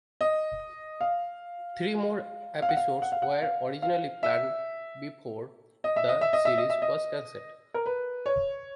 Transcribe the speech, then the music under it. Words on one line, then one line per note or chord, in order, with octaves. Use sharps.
Three more episodes were originally planned before the series was canceled.
D#5
F5
F5
F#5
F5
F#5
F5
F#5
F5
F5
E5
D#5
E5
D#5
E5
D#5
E5
D#5
E5
D#5
A#4
B4
C#5